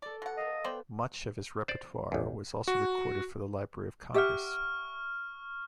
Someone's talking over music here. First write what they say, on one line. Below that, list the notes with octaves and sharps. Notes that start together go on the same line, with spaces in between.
Much of his repertoire was also recorded for the Library of Congress.
A4 D5 D6
B2 F#5
A4 A#4 D#5 F5
B3 C5 D5 G5
C5 D5
A1 E2
F#4
G4 E5 F#5 C#6 F6